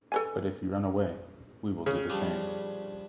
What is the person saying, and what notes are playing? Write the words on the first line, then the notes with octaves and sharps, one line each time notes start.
But if you run away, we will do the same.
A4 B4 G#5
C#3
F3 G3 D4